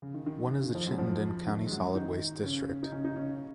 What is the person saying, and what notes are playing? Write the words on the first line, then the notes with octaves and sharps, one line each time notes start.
One is the Chittenden County Solid Waste District.
C#3
D#3
D#3
D#3
C#3
D#3
F2 F3
F#2 F#3
F2 F3
D#3
G#3
F#2 F#3
D#3 D#4
C#3 C#4
D#4
C#3 C#4
D#4
C#3 C#4